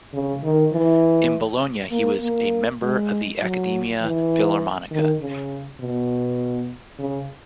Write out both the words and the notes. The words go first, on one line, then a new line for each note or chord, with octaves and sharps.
In Bologna he was a member of the Accademia Filarmonica.
C#3
D#3
E3
A#3
A#3
G#3
F#3
E3
D#3
C#3
B2
C#3